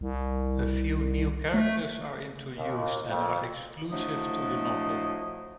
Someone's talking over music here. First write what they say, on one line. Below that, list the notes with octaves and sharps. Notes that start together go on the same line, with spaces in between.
A few new characters are introduced and are exclusive to the novel.
C2
A3
D#2
F2
F3 F#3 A3 D4 E4 D#5